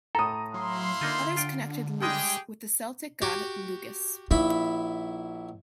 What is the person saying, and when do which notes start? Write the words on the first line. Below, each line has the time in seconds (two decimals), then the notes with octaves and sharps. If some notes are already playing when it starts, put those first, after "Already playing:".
Others connected "Lus-" with the Celtic god Lugus.
0.15 A2 A4 A#5 D#6
0.54 F#3 E4 F5 C6
1.01 D3 A#3 D#4 F4
1.37 F4 G5
2.02 G3 G#3 G4 G#4 D#5 G5
3.22 F#4 G4 D6
4.31 A#1 D#4 E4 B5